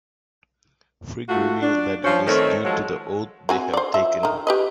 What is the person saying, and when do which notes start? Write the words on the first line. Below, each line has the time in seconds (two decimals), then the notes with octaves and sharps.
Frigg revealed that it is due to the oath they have taken.
1.28 A3 F4 F#4
1.61 D4
2.04 F3 C#4 C5
2.26 D#3 A3 C4 D#4 C#5
2.64 F3 F#3 G#3 A4
3.49 C4 F#4 G#5
3.74 C5 D5
3.94 F3 E5
4.23 D#3 D#4
4.47 G4 B4 D#5